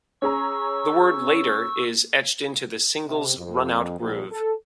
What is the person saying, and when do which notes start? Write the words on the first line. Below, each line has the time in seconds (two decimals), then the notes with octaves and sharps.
The word "Later" is etched into the single's run-out groove.
0.22 C#4 G#4 A#5 C#6 E6
3.06 C3
3.36 F2
3.99 A#1
4.31 A4